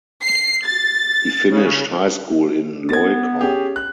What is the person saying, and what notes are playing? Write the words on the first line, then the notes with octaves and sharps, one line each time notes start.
He finished high school in Loikaw.
C7
A6
C#3
B3 G#6 A6
C#4 G4 G#4
F#6